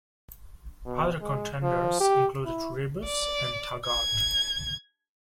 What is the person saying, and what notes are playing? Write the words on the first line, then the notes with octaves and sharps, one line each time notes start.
Other contenders included "Rebus" and "Taggart".
B2
G#3
F3
G4
E4
D5
G#6